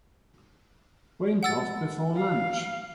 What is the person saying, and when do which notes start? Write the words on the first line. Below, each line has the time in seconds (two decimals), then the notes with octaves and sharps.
Went off before lunch.
1.43 F#5 E6 A6
2.16 F5